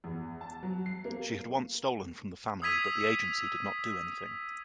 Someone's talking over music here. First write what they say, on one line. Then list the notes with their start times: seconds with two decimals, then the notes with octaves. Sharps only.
She had once stolen from the family but the agency did not do anything.
0.04 E2
0.41 A5
0.63 F#3
0.86 C7
1.05 A#3
2.62 D#6 E6 G#6 B6 D#7 F7